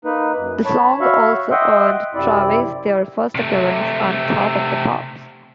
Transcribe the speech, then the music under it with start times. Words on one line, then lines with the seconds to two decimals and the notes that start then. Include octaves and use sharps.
The song also earned Travis their first appearance on "Top of the Pops".
0.05 A#3 D#4 B4
0.37 F#2
0.65 C#5 A5 B5
1.01 F#4 C#5 E5 F5 B5 C#6
1.51 D#5 E5 F#5 G5 C6
2.15 F#2 C3 C4 E4 D5
3.35 C3 A3